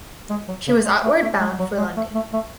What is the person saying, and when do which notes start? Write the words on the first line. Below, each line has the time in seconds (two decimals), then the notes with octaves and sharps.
She was outward bound for London.
0.30 G#3
0.48 F#3
0.67 C#3
0.85 G#3
1.04 A3
1.22 A3
1.41 G#3
1.59 F#3
1.78 G#3
1.97 A3
2.15 A3
2.33 A3